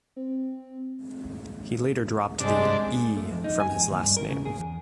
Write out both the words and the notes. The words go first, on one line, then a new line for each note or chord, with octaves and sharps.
He later dropped the "E" from his last name.
C4
G2 C3 G#3 D4
A3
F2
D#4
G#5
F2
D#2
G2
A#4
C#3
G#4
E2